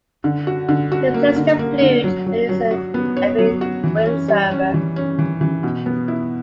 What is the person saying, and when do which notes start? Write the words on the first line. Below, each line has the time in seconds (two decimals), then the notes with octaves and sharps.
He plays the flute and is an avid windsurfer.
0.24 D3
0.47 F#4
0.69 D3
0.92 F#4
1.14 A#3
1.36 D3
1.59 A#3
1.81 D3
2.04 F#3
2.26 F#3
2.49 F#3
2.71 F#4
2.94 B3
3.17 C#5
3.38 F#3
3.61 F#4
3.84 E3
4.06 C#4
4.28 G3
4.51 C#4
4.74 E3
4.96 C#4
5.19 E3
5.41 E3
5.63 B2
5.86 B3
6.08 E4